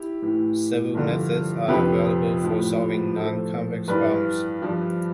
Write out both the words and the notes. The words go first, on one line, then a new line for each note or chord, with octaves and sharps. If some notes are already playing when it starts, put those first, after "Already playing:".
Several methods are available for solving nonconvex problems.
Already playing: E4 G4
A2 E3
G2 D3 F3
F2 C3 F3 G4 B4
A2 F3
A2 F3 A4 C5
G2 E3 B4 D5
G2 F3